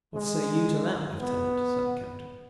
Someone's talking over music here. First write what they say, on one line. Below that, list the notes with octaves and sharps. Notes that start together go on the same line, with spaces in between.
"What say you to that, leftenant?" said the captain.
G#3
B3